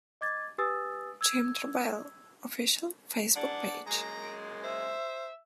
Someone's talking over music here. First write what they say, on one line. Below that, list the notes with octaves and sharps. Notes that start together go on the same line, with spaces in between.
Jim Tarbell, Official Facebook Page.
D#5 D6 G#6 A6
G4 B4 G#5 D#6 E6 A6
E6 G#6
E2 G#2 D4 F#5
F#2 A#2 G#3 A#5
C5 E5